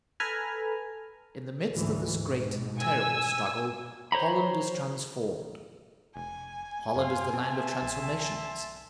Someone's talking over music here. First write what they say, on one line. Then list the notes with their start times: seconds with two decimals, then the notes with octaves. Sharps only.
In the midst of this great and terrible struggle Holland is transformed: Holland is the land of transformations.
0.20 A4 B4 G#5 A#5 B5 F6
1.72 D2 G#2 E3
2.13 G#2 B2
2.78 G#5 E6
4.12 C5 C#5 A#5 B5
6.16 F1 G#5
6.95 F#2 F5 C6
7.34 C4 E5 A5 C6
7.82 B1